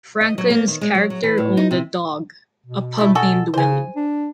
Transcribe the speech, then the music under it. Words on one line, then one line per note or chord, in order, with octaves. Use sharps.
Franklin's character owned a dog, a pug named Willy.
D#5
F#3
A#3
D#3
G#3
F#3
F#3
E3
A2
D#4
C3
B2
A3 E4
F#4 G#4 A4
C#3 C5 G#5
D4